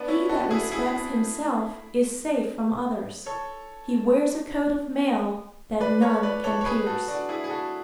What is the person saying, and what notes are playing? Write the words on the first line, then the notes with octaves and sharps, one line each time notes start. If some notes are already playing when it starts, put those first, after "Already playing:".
He that respects himself is safe from others; He wears a coat of mail that none can pierce.
Already playing: B3 D4
C#4 E4
F#4 A4
E4 G#4
E4 G#4
A4 C#5
B4 D5
A4 C#5
B4 D5
A4 C#5
C#5
G#4 B4
F#4 A4
D4 F#4
E4 G#4
G#4
F#4 A4